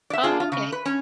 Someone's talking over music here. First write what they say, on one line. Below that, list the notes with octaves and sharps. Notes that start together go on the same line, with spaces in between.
Oh, okay.
D5 E5
D4 F4 G#4
F4
C#3
B4
C#4